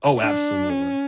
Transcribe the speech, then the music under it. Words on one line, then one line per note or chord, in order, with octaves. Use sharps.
Oh, absolutely.
D4
C#4